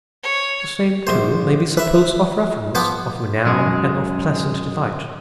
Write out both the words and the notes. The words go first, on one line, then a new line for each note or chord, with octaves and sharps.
The same, too, may be supposed of reverence, of renown, and of pleasant delight.
C#5
A#1 C5
B4 E5
F3 B3 G5 D6
F#2 G#3